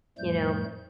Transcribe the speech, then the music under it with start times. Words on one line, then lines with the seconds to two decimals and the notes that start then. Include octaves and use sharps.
you know,
0.18 F2 A2 F3 G3 A3 G6